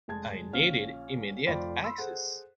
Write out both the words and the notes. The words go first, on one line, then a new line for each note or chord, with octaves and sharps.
I needed immediate access.
F1 G#3 A5 G#6
A#1 C#4 F5 F6
F1 F2 F4 D5 G5 B5
B5 C6 E6
G#4 A4 C5 F#5